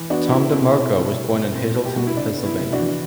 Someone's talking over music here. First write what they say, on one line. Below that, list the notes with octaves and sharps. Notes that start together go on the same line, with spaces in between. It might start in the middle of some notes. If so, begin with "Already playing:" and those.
Tom DeMarco was born in Hazleton, Pennsylvania.
Already playing: E3
B3 D4 F#4
F#4
B3 E4
B2
C4
B2
G3
B2
C4
B2
G4
G3 F#4
E4
C3 D4
B3
E4
C3
D4 F#4
E3